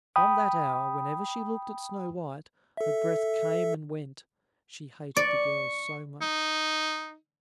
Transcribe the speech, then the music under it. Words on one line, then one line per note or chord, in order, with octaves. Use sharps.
From that hour, whenever she looked at Snow-white, her breath came and went, she hated the girl so much.
G5 B5 D#6
A4 E5
D5 C#6
D#4